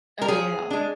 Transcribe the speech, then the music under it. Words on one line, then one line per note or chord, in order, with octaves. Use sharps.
Oh, yeah.
A#4
F3 G#4
G#3 D4